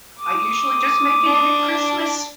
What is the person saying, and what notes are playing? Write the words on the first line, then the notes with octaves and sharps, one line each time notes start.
I usually just make it it at Christmas.
D6 D#6
D4